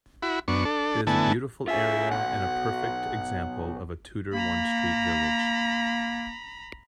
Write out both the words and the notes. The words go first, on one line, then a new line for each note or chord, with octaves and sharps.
It is a beautiful area and a perfect example of a Tudor one-street village.
E4 F#4 B5
F#2 B3 D4 C#6
D4 A4
D3 A3 B3 E4 G#5 A5
F4 G#4 E5
B1 F#5
A#3 A#5 B5